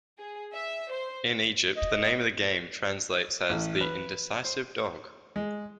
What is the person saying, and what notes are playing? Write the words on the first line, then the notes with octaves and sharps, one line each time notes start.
In Egypt the name of the game translates as "The Indecisive Dog".
G#4
E5
C5
D#5
A1
B4
C5
G#3